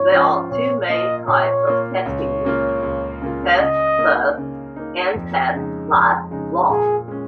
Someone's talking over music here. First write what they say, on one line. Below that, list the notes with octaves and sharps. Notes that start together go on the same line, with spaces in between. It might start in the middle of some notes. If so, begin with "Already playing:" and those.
There are two main types of testing loops, test first and test last blocks.
Already playing: G#2 F3 C#4 F4 C#5
F3 C#4 F4
A#2 C#5
A#3 F4 D#5
A#2 C#5
A#3 F4
C#2 C#5
C#3 A#3 F4
C#2
C#3 A#3 F4
C#3 D#5
A#3 D#4
C#3
A#3 D#4
F2
C#3 G#3 D#4
F2
C#3 G#3 D#4
A#2 G#4
G#3 C#4